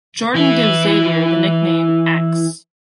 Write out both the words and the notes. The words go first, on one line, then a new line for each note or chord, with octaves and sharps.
Jordan gives Xavier the nickname "X".
E3 E4